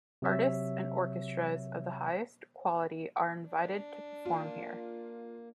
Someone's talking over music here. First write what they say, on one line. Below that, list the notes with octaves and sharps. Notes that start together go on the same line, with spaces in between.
Artists and orchestras of the highest quality are invited to perform here.
C3 F#3 C#5 E5
D4
A#3 F4